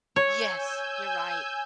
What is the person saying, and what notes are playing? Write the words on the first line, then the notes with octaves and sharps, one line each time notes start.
Yes, you're right.
C#5 G#5 E6 G6